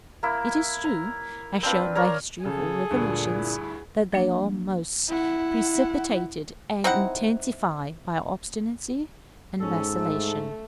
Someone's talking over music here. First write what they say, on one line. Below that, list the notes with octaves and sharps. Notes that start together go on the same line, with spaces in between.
It is true, as shown by the history of all revolutions, that they are most precipitated and intensified by obstinacy and vacillation.
A#3 E4
A#5
C4 D4 F4 B4
A#4 C#5 D5 A#5
C#3 G#4 A4
D2 G2 A#2
E4
F3 F#3 A#3 D4
E4 F#5
C4 D#4 E4 F#5
G#2 C#4 A4
A3